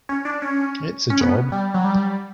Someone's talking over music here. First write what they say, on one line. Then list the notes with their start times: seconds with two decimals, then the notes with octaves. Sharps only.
It's a job.
0.09 C#4
0.25 D4
0.42 C#4
1.10 C#4
1.21 B3
1.52 G3
1.74 F#3
1.84 G3